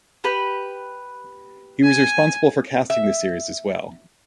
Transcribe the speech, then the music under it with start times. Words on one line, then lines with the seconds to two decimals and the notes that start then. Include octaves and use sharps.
He was responsible for casting the series as well.
0.24 G4 B4 B5
1.84 G#5
2.90 E5